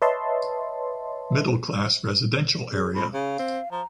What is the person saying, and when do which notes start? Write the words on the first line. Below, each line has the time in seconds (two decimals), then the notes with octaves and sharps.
Middle class residential area.
0.02 B4 C#5 D#5 E5 A5 C6
2.71 G#4
2.95 F2 B5
3.13 C#3 F5
3.39 C4
3.71 F3 A#5